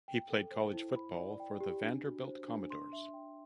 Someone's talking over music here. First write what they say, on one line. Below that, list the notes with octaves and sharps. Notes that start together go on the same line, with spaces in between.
He played college football for the Vanderbilt Commodores.
G5
A4
C5
E4
B5
D5
G5
G4
D4
F#4
C5
D4
C6
E5
G5